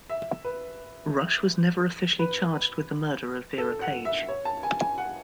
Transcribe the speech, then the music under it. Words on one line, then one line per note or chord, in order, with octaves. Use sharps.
Rush was never officially charged with the murder of Vera Page.
E5
B4
B4
A4
F#5
E5
C#5
A5
G#5
G#5
F#5